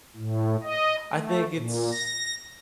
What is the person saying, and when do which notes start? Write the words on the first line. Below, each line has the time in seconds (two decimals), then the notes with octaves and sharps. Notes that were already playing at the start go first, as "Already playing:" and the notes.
I think it's
0.17 A2
0.63 D#5
1.13 A3
1.55 A#2
1.92 A#6